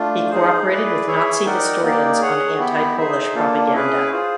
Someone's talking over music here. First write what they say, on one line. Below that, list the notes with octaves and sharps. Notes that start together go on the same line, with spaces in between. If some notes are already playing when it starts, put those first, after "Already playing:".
He cooperated with Nazi historians on anti-Polish propaganda.
Already playing: A3 D4 F4
D#4 G#4 C5
E4 G#4 B4 D5
E4 G#4 C#5 E5
D#4 G4 A#4 D5 F#5
A#3 D#4 G4 A#4 D5
G#4 C#5 F#5
B3 E4 G4
D#4 G#4 C5 E5
A#3 D4 F4 A4
C#4 E4 G#4 B4
F4 G#4 C5